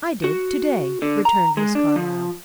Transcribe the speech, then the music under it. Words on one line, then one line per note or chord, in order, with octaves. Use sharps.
"I did to-day," returned Miss Carlyle.
F#4
D3
A#5
G#3
D4
F3